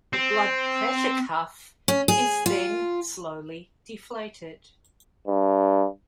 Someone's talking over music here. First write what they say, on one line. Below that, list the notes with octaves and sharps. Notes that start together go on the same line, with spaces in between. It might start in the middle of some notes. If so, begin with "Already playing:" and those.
The blood pressure cuff is then slowly deflated.
C4
C#4
G#4
F4
G2